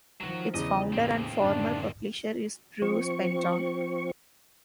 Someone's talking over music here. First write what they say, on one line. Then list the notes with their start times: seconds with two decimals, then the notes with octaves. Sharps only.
Its founder and former publisher is Bruce Penton.
0.21 D#3 F3 F#3 F#4
0.54 E2 C#3 D#5
0.93 D#2 A2 C4
1.41 F#1 A2 D3 D4
2.82 F3 C4 C#6